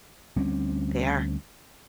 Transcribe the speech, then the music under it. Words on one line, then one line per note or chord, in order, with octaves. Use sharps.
They are.
D2 G3 C4 C#4